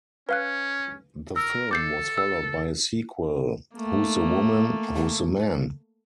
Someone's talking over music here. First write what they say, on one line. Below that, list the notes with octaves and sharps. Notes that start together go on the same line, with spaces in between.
The film was followed by a sequel, Who's the Woman, Who's the Man?
C#4 B4 F5 F#6
A#4 E6
A4 D6 G6 C7
E6
A3 A#3